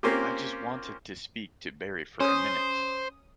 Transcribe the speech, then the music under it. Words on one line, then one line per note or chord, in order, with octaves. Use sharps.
I just wanted to speak to Berry for a minute.
A#3 C4 C#4 F4 G4
C#4 C5 D#6